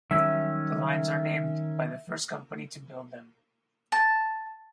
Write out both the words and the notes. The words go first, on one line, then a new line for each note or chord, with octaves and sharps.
The lines are named by the first company to build them.
D#3 F#3 G3 C#4 E5
A5